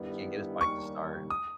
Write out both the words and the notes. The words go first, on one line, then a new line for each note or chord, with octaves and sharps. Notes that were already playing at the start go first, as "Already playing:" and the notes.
he can't get his bike to start.
Already playing: G2 D#3 G3 B3 E4
D#2 D#3 G3 C#6
D#6